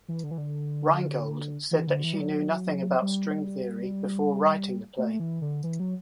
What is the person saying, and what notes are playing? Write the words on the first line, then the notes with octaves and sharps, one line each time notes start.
Reingold said that she knew nothing about string theory before writing the play.
E3
D3
E3
D3
E3
D3
E3
G3
F#3
G3
A3
E3
D3
E3
F#3